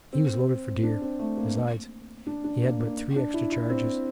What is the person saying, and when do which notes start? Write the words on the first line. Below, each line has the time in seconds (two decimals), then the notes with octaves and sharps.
He was loaded for deer; besides he had but three extra charges.
0.13 C4
0.83 D4
1.02 C4
1.19 A3
1.37 A#3
2.27 D4
2.44 D4
2.62 A#3
2.80 A#3
3.16 D4
3.34 E4
3.52 E4
3.70 C4